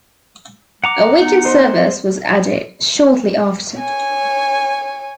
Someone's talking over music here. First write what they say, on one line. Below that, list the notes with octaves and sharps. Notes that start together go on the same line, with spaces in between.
A weekend service was added shortly after.
F#5 A#5 D6
B3 D#4
C5 D#5
C#5 G#5